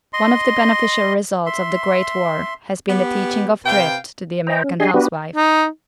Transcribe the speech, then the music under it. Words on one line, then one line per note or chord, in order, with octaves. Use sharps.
One of the beneficial results of the Great War has been the teaching of thrift to the American housewife.
D#5 C6
E5 C6
B3 G4
C3 B4 F5 G5
C5 D#5 G5 A#5
C#4
D4 G4 G#4 D#5 G#5 C6
B3 D4 F#4 G4 B4
D#4